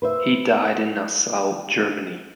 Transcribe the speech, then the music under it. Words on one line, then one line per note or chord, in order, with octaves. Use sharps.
He died in Nassau, Germany.
B4 C5 E5